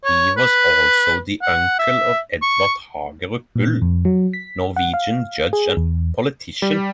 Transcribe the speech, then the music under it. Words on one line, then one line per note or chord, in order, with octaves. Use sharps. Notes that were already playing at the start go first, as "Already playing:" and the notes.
He was also the uncle of Edvard Hagerup Bull, Norwegian judge and politician.
C#5
B4
F#5
E5
C#6
A#2
F2
F#3
B6
F#5
F5
G#4
E2
G3